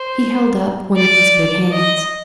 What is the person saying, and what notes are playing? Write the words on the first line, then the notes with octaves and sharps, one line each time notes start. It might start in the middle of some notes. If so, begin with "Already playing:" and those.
'He held up one of his big hands.
Already playing: C5
D5
D#5